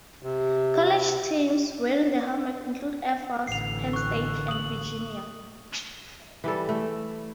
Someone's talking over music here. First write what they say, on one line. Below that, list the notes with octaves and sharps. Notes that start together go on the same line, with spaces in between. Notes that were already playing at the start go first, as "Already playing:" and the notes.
College teams wearing the helmet include Air Force, Penn State, and Virginia.
C3
A1 D3 C7 F7
C#6 F#6
D#6 F#7
E3 G3 A4
A3